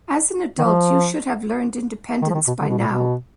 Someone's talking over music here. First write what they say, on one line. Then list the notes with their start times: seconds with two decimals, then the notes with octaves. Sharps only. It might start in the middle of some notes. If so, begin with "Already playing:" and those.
As an adult, you should have learned independence by now!
0.58 D#3
0.64 F3
2.22 D#3
2.30 F3
2.34 D#3
2.47 B2
2.61 D3
2.69 B2
2.78 A#2
2.87 B2